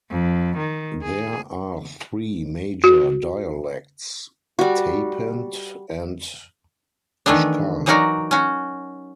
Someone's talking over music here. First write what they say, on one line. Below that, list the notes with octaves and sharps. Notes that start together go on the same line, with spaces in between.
There are three major dialects, Tapant and Ashkhar.
F2
D#3
G#4
F#4
G3 F#4
D#3 E3 A3 B3 D4
E3 F#3 D#4 F#4 A#4 D5
C#4 F#4